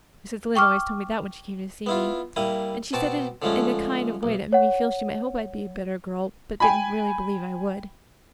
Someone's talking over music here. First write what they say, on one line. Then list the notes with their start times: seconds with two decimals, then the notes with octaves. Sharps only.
Mrs. Lynde always told me that when she came to see me; and she said it in a kind of way that made me feel she might hope I'd be a better girl but didn't really believe I would.
0.55 G5 C#6 D6 F6
1.86 B3 E4 F4
2.36 G3 A#3 E4 D#6
2.93 B2 C4 F#4 A5 D6
3.42 D3 F3 G#3 A3 C#4
4.23 B1
4.53 C#5 F#5
6.60 G5 G#5 B5